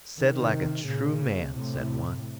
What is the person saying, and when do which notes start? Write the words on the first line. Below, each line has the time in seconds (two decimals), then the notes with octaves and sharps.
"Said like a true man," said one.
0.20 C3 D#3
0.87 A#2 C#3
1.55 A2 C3